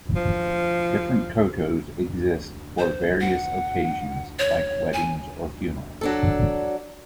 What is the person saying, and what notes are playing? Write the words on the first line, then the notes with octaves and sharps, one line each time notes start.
Different kotos exist for various occasions like weddings or funerals.
F3
C5
F#5
C#5
G#5
F#3 D4 A4